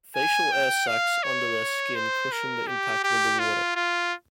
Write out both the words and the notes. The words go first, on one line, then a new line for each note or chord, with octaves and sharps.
Facial air sacs under their skin cushion the impact with the water.
G#5
G5
F5
C#5
C5
A#4
G4
G4
F4
F4